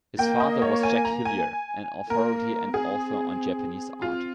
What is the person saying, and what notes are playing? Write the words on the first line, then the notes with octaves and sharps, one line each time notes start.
His father was Jack Hillier, an authority and author on Japanese art.
A#3 G5
D#5
C#5
G#5
A#5
G#5
A#3 A#4
C4 G#4
C4 F4